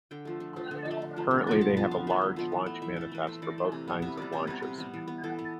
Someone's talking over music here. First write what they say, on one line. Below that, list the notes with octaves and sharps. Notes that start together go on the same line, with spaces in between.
Currently, they have a large launch manifest for both kinds of launches.
D3 G5
F3 A3
D3
F3 A3
D3
F3
A3
D3
F3 A3
D3
F3 B3
D3 A5
F3 B3 A5
D3 F5
F3 B3 E5
D3
F3 B3
E3
A3
E3 E5
A3 A4
E3 B4
A3 C5
E3 D5
A3
C3
G3 B3
C3 E5
G3 B3 D5
C3 C5
G3 B3 B4
C3
G3 B3
E3
B3
E3 A4
B3